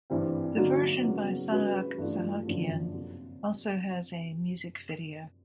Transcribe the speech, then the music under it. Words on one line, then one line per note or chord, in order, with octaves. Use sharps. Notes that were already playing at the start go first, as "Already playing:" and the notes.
The version by Sahak Sahakyan also has a music video.
G2 E3 G3 C4
D3 F#3 A#3 D#4 F#4
C#3 F#3 B3
G#3 C#4 F#4 B4
G2 E3 A3 D4 F4
F#2 D3 F3 A#3
C3